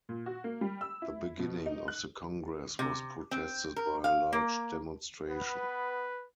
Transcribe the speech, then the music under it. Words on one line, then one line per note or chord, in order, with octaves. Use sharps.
The beginning of the Congress was protested by a large demonstration.
A#2
F#4
A#3
G3
E6
E4
B2
D#4
F#6
C3
C4
A#4
F5
A#3
B3 B4